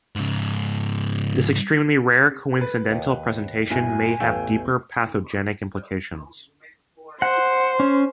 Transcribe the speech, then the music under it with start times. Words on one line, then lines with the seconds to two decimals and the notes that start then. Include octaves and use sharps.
This extremely rare coincidental presentation may have deeper pathogenic implications.
0.16 G#2 C#3
2.61 B4
2.91 D#2
3.70 G1 A#3 E4 F#4 G#5
4.20 A1 E2 A3 F5 G5
7.22 C5 F#5
7.80 C#4